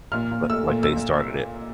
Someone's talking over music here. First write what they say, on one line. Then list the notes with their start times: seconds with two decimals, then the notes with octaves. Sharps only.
But, like, they started it.
0.12 A#2 F6
0.31 A#2
0.50 A3 E6
0.68 A#2
0.83 E6